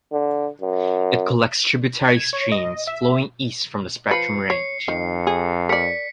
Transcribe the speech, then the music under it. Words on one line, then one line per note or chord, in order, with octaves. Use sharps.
It collects tributary streams flowing east from the Spectrum Range.
D3
F#2
G#6
C#5
D#5
E5
F3 B4 C7 C#7
C#5 C7
F2 D#3
G#4
A#4 D5 B6 C#7